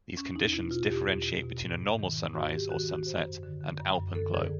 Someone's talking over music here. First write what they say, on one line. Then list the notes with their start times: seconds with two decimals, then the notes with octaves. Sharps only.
These conditions differentiate between a normal sunrise or sunset and alpenglow.
0.17 E2 C#4
0.36 E2 D#4
0.53 B2 E4
0.71 B2 F4
0.90 E2 G4
1.08 E2
1.25 B2
1.43 B2
1.62 G#2
1.80 G#2
1.99 D#3
2.17 D#3
2.34 G#2 F#4
2.53 G#2 G4
2.70 D#3 F#4
2.88 D#3 F#4
3.07 F#2 C5
3.24 F#2
3.43 D3
3.61 D3
3.80 F#2
3.98 F#2
4.15 D3 A4
4.34 D3 G#4